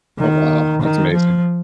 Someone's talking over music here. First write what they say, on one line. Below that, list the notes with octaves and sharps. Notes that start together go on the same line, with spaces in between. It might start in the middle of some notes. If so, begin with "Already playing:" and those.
Oh, wow. That's amazing.
D#3
D#3
F3